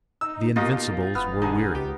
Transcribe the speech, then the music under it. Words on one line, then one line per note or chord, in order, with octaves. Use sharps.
The Invincibles were weary.
D#4 E6
B2 A#3 D#4 F4 G4 D#5
E1 B3 F6
D3 D#4 G#4 A5
C#2 G4